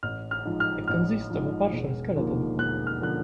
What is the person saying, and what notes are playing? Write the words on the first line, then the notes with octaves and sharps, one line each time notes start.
It consists of a partial skeleton.
A1 F6
F6
G#2 F3
F6
A1 F6
G#2 F3
E1
D#2 D3 F3 A#3
E1 F#6
F6
D3 F3 A#3 F#6